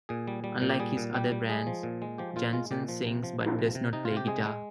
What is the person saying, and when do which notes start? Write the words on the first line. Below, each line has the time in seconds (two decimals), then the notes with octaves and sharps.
Unlike his other bands, Jansen sings but does not play guitar.
0.09 A#2 G#4
0.28 G3
0.44 G3
0.62 A#2
0.69 G4
0.80 G3 G#4
0.97 A#2
1.14 G3 G4
1.32 G3
1.49 G#3 G#4
1.67 F3
1.83 A#2
2.02 G#3
2.18 F3 G4
2.36 A#2 F4
2.53 G#3 F4
2.71 A#2 G4
2.89 F3
3.06 C3
3.23 F3
3.40 F3
3.59 C3
3.75 C3
3.93 C3 D#4
4.05 F4
4.11 C3
4.17 G4
4.27 G#3 G#4
4.45 G#3